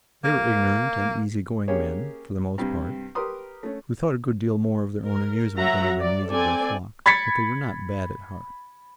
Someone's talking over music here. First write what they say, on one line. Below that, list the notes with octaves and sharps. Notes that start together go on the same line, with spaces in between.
They were ignorant and easygoing men, for the most part, who thought a good deal more of their own amusement than of the needs of their flock, but they were not bad at heart.
A#3
A#3 C#4 G4 G#4 C#5
G2 C3
G4 A#4 B4 C6 D#6
A3 C#4
A#4
F#3 E5 F#5 A#5
D5
C4 A4 D5 G#5
B5 G#6 A6 B6 C#7